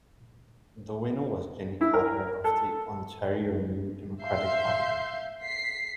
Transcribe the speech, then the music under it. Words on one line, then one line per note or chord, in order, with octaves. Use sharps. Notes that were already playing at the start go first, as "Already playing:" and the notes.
The winner was Jenny Carter of the Ontario New Democratic Party.
E4
A#4
A4
E5 F5 C6 G6 C7
B6 C7